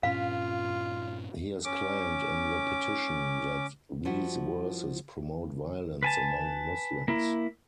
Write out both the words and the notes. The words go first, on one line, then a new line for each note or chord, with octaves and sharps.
He has claimed in the petition that these verses promote violence among Muslims.
G2 A#2 C#4 F4 F5
C#4 D6
F3 G3 E4 F#4
B4 G#5 A5
A#3 E4